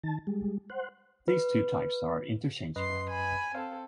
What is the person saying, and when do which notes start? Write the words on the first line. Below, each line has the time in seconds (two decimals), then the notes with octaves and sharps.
These two types are interchangeable.
0.03 D#3 A5
0.27 G3 G#3
0.70 C5 F#5
1.28 B4
2.76 F#2 B4 D#5 C6 C7
3.10 G#5 B5
3.55 C4 A4 F5